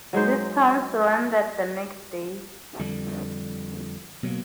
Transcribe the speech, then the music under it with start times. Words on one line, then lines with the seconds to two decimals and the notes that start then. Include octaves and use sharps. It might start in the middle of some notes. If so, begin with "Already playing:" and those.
This town surrendered the next day.
0.13 F#3 G#3 D#4 C5
2.79 F2 D3 G3
4.23 B2 F#3 G3 A#3